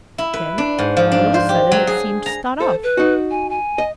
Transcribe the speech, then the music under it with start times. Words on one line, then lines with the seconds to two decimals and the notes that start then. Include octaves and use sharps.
Then, all of a sudden, it seemed to start off.
0.18 E4
0.33 B4
0.58 D4
0.79 G#2
0.97 F3
1.12 D4
1.34 C5
1.49 G4
1.72 F#3
1.87 G#4
2.26 A#5
2.60 A4 C5
2.83 B4
2.97 D#4 F#4
3.31 G#5
3.50 G#5
3.78 D#5